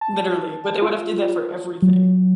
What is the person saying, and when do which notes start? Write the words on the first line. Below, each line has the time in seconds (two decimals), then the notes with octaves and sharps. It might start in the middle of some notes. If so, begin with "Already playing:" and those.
Literally, but they would have did that for everything.
0.01 A5
0.82 F4
1.82 F#3